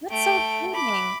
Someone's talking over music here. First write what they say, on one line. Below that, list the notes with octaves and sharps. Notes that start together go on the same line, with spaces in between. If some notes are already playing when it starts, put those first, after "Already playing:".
That's so exciting. I
A3 G5
B5 D6